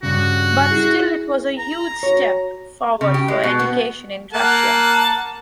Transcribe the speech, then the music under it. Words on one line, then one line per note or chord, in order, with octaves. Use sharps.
But still it was a huge step forward for education in Russia.
G2 C#3 F#4
E4 G#4
A#5
F#4 C#5
C#3
G4
G#3
B2
B3
A#3 F#5 A5